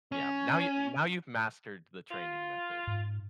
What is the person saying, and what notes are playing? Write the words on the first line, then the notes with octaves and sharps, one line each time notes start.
Yeah, now you now you've mastered the training method.
C#4
F4
G#2